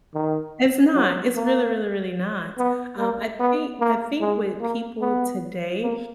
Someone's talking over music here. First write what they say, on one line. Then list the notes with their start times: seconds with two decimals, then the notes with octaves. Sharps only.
It's not. It's really, really, really not. Um, I think I think with people today
0.14 D#3
0.95 F#3
1.35 A#3
2.58 B3
2.98 A#3
3.40 B3
3.80 A#3
4.21 G#3
4.61 A#3
5.01 B3
5.83 A#3